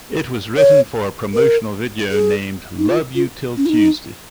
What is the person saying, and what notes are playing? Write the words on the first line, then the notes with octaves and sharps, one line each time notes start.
It was written for a promotional video named "Love You till Tuesday".
C#5
A#4
G#4
D#4
F4
F4
C#4
F4
D#4